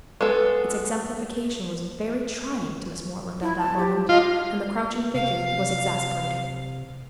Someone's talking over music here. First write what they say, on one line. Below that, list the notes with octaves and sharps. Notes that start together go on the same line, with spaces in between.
Its exemplification was very trying to Miss Moreland at that moment, and the crouching figure was exasperating.
G#3 B3 A4
E4
A5
G4
F4 D#5
C3 F5